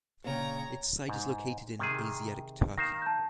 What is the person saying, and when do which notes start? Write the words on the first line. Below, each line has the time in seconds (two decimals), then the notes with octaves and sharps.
Its site is located in Asiatic Turkey.
0.24 A#2 C#3 C#5 G5 A#5
1.09 G#2
1.79 C3 D#3 G#4
2.78 D#3 F5 A#6 C7 E7
3.02 A5 G6